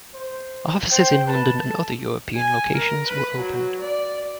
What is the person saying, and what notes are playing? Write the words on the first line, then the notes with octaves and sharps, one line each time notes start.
Offices in London and other European locations were opened.
C5
C5 G5
B4 A5
A4
G#5
A#4
B4
F#3
D5